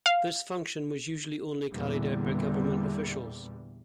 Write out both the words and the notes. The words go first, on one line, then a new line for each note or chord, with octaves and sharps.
This function was usually only carried out by government officials.
F5
E2 A#2 D3 G3